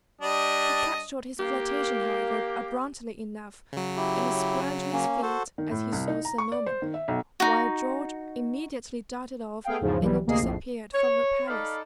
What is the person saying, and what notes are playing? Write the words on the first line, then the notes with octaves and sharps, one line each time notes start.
He cut short his flirtation, however, abruptly enough, and sprang to his feet as he saw Sir Norman, while George immediately darted off and disappeared from the palace.
G3 D4 D#5
A#3 G4
C#3 F#3
E4 G4
A#3 C#4
F#4 A4 C5
D#3
A2
C2
D#4
A#5
C#6
D5
C5
D#3
E5
B1
D#4 F#4
A3 B3 G#4 F5 G5
E2 G#2 C#3 F3
B1 E3 G3
D2 C3 A#3 G#4 D#5 C7
A#1 F2 A2
C#5
D#4 A4 D5 F5 B5